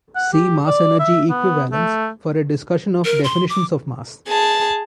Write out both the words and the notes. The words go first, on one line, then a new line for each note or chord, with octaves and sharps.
See mass-energy equivalence for a discussion of definitions of mass.
F#5
G4
D5
E5
B3
A3
A#4
C6
D6
G#4 A5